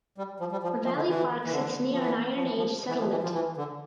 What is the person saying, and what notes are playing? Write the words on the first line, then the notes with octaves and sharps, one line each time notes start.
Valley Park sits near an Iron Age settlement.
G3
F3
G3
F3
F3
D3
E3
E3
D3
F3
E3
F3
E3
F3
E3
F3
E3
F3
E3
D3